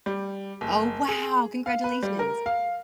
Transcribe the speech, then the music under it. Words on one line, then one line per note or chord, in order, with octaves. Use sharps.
Oh, wow! Congratulations.
G3
F#1
G#4
F5
B4
G3
A#4
F5